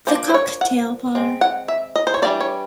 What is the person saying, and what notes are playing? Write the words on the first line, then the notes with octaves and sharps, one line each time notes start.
The Cocktail Bar.
F3 A#3 D4 C5
C5
C#5
F#5
G#3 C4
F#5
E5
D#5
C5
C#5
E3 G3 A#3 D4 D5
C#5